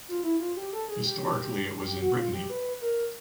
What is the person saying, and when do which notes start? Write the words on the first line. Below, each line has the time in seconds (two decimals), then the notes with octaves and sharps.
Historically it was in Brittany.
0.08 F4
0.23 E4
0.40 F4
0.57 G4
0.73 A4
0.88 G#4
1.05 G4
1.85 G4
2.01 F#4
2.17 F4
2.33 G4
2.50 B4
2.81 A#4